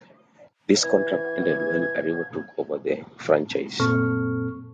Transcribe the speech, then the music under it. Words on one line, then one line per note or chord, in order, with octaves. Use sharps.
This contract ended when Arriva took over the franchise.
E3 G#6
F#2 A#2 C4 A4 C#6 F6